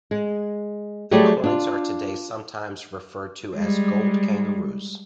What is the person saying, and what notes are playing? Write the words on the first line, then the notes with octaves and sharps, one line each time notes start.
The coins are today sometimes referred to as "gold kangaroos".
G#3
F#3 G3 A3 G4 G#4 D5
D4 F4
G3 G#3